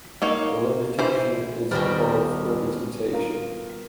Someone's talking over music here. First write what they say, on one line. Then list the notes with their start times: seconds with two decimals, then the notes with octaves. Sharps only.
The limitation is the Hopf representation.
0.22 A#3 D#4 C#5
0.99 E3 C5
1.71 D#1 B2 D#3 G3 B4 F6
3.13 F4 A#4